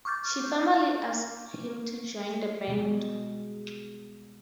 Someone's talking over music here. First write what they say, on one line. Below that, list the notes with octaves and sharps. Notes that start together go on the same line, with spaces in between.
She formally asked him to join the band.
C#6 D6 F6 G6 A6
B2 G3 G#3 G#4